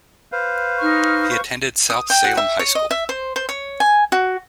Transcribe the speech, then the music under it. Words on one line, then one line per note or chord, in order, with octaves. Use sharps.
He attended South Salem High School.
B4 C5 F5
D#4 C#6 F6
C#6
D#6
G5
F#4
E5
C#5
D#5
E5
C5
C5
C#5
G#5
F#4